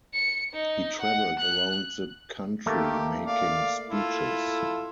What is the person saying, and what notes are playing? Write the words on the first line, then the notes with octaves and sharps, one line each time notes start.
He traveled around the country making speeches.
C#7
D#4
F#5
F#6
D#3 A3 A#3 G4
D5 F5
E4 F4 A4